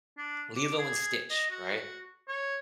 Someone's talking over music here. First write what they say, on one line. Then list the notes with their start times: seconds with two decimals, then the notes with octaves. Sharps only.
Lilo and Stitch, right?
0.18 D4
0.56 D6
0.79 G#4
1.30 D#5
1.51 F#4
2.28 C#5